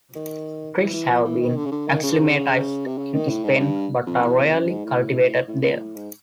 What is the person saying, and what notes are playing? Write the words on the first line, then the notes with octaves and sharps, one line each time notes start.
Trees have been acclimatized in Spain but are rarely cultivated there.
D#3
E3
E3
F3
E3
D#3
D3
C#3
D3
D#3
C#3
D3
C#3
C3
C#3
D#3
A2
G#2
G2
F2
E2
F#2
G#2
A2
A2
A#2
A2
G#2